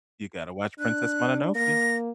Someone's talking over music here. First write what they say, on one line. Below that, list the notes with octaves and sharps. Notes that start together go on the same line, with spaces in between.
You gotta watch Princess Mononoke.
D4 F#6
A#3 A#6